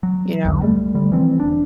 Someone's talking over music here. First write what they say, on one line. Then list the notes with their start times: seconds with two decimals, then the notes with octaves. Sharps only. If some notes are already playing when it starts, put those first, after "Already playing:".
You know?
0.03 F#3
0.45 B1 E2 G2 D3
0.62 G3 A3
0.94 D3 G3
1.12 E3 F3 C4
1.40 E1 D4